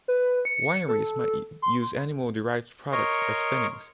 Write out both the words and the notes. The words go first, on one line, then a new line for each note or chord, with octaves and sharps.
Wineries might use animal-derived products as finings.
B4
C#7
A4
C6
A#4 C#5 D#5 C6 C#6